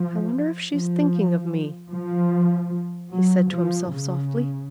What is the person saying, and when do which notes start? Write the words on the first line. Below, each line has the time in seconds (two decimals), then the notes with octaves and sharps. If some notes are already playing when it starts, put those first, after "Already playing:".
"I wonder if she's thinking of me?" he said to himself softly.
Already playing: F3
0.70 F3
1.91 F3
3.12 F#3
3.52 F3
3.92 C#3